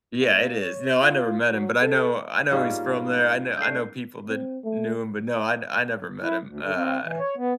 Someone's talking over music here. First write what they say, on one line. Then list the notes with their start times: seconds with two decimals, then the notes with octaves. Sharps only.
Yeah, it is. No, I never met him, but I know I know he's from there. I know I know people that knew him, but, no, I I never met him. Uh
0.20 A#3
0.61 C#5
1.02 F4
1.51 F#3
1.81 A4
2.51 G#2 G3 A#3 C#4 F4 F5
3.57 A3 D4 G6 C7
4.29 C4
4.64 A3
6.23 E4
6.47 D2
6.63 D3
6.75 C4
7.04 E3
7.19 C#5
7.37 B3